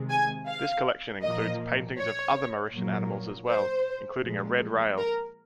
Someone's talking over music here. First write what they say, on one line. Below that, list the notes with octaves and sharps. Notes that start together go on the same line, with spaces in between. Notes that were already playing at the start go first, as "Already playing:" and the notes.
This collection includes paintings of other Mauritian animals as well, including a red rail.
Already playing: C3 D#3 G#3
G#5
F5
A#2 F3 A#3 D#5
C#5
A#2 F#3 A#3
C5
A#2 F3 G#3
A#4